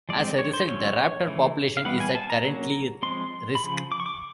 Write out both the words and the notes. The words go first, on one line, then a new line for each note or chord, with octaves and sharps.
As a result, the raptor population is at currently risk.
F3 G#3 C4 D5
C#5
C5
D3 F#3 A3 C#4 C#5
C#3 E3 A3
F5
E3 G3 B3 F#5
G#5
A5
A#5
F#3 A#3 C#4
F3 G#3 C4 C6
B5
C#3 F3
D6
C#6
D6